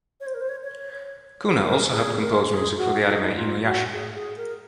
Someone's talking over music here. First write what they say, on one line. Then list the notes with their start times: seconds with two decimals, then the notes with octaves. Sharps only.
Cunnah also helped compose music for the anime "InuYasha".
0.21 C#5
0.27 C5
0.34 A#4
0.41 C5
0.49 C#5
0.63 C#5
1.64 A#4
1.92 G#4
2.21 A#4
2.49 G#4
2.78 F#4
3.07 D#4
3.36 F4
3.64 F#4
3.93 G#4
4.15 G#4
4.37 A#4